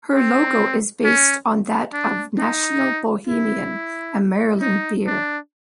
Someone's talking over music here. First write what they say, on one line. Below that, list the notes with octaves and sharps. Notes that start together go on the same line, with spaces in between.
Her logo is based on that of National Bohemian, a Maryland beer.
C4
C#4
D4
D#4
E4
D#4
D4